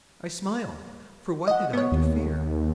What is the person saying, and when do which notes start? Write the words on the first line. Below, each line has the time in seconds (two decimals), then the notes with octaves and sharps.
I smiled,--for what had I to fear?
1.48 D#5 F#5
1.73 B3 C#5
1.92 D#2